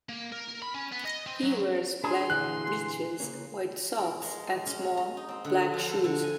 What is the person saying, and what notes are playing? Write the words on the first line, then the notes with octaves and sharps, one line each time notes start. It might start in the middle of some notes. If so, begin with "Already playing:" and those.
He wears black breeches, white socks and small, black shoes.
A#3
A#4
B5
C#4
B3
D#5
C4
F#3
D4 G#4 C6
A#2 D3 E3 F#6
C#3 A#3 C#4
A#4
G#3
C#4
A#5
D#4
C4
D3
F3
A4
D3
G#5